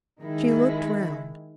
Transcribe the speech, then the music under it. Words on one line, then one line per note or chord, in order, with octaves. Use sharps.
She looked round.
D#3 G#3 E4